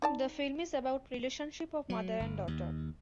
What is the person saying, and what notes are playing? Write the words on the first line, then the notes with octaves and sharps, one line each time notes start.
The film is about relationship of mother and daughter.
D#4 D5 A5
F#3
G1
D#2